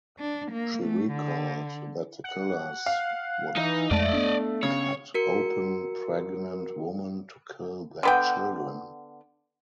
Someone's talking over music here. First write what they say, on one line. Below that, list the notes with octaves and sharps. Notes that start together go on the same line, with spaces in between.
She recalled that the killers would cut open pregnant women to kill their children.
D4
A#3
A3
D3
F#5
F5
E3 D#4
F2 G#3 A3 D5 D#5
B3 D4
C#3 C#5
F#4 A#4 C#7
D3 B3 G5